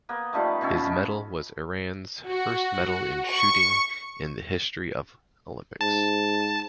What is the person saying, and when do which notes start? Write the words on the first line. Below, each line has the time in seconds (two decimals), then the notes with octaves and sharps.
His medal was Iran’s first medal in Shooting in the history of Olympics.
0.09 A#3 B3
0.33 D#3 F3 G3 A3
0.61 B2 F3 C#4 E5
2.29 F#4
3.31 C#6
5.81 G#2 A5